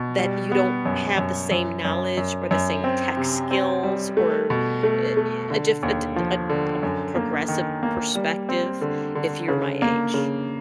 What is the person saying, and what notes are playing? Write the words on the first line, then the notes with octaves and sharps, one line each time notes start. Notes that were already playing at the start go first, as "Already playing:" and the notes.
that you don't have the same knowledge or the same tech skills or, eh ye a diff a di a d a progressive perspective if you're my age.
Already playing: B2
G3
B3
F#2
F#2
F#2
F#2
F#2
F#2
C4
C3
C4
G3
A3
B2
A3
A3
D3
D#2
F3
D3
F#2
A#3
D#3
A#3
G3
C4
D3
D3
C#3
A#3
C#3